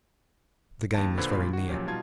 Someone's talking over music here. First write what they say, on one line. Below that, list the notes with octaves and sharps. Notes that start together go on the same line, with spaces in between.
The game was very near.
D#2 A5
A#2 D3 B4 C5 B5 G#6
G2 A#2 D4 F4 B5 C6
D#3 F#4
A#2 F3 F#3 C#4 G4
B2 G3 D#4 F4 A5 G#6